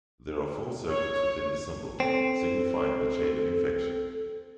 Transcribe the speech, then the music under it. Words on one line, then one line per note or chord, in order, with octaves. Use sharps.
There are four circles within the symbol, signifying the chain of infection.
C#5
C4 A4